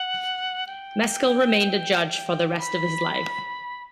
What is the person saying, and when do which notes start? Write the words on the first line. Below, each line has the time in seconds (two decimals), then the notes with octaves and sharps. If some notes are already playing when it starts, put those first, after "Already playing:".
Meskill remained a judge for the rest of his life.
Already playing: F#5
0.67 G5
2.58 B5